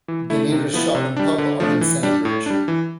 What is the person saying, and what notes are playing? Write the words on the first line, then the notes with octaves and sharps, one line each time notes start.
The nearest shop and pub are in Sennybridge.
E3
A3 E4
C3
F3 B3 E4
C3
G3 D4
D3
F3 A3 D4
E3
G3 D4
A2
G3 D4
E3